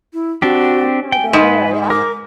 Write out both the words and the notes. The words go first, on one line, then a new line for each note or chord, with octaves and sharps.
Let's not go there, yeah.
E4
C4 D4 F#4 G4
G5 G#5
G#2 B4
A#4 D6